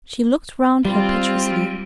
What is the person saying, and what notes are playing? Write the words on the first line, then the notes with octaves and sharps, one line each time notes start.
She looked round her piteously.
G3 C4 F4